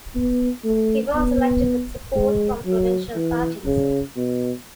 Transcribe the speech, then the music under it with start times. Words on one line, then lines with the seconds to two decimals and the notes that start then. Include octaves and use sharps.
He was elected with support from provincial parties.
0.15 B3
0.64 A3
1.15 B3
2.16 G#3
2.66 F#3
3.15 E3
3.65 C#3
4.16 B2